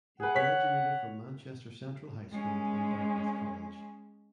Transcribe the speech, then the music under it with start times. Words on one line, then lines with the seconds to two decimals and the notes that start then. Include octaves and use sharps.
He graduated from Manchester Central High School and Dartmouth College.
0.20 G#4 B4 F#5
0.35 C#5 B6
2.31 G#3 C#4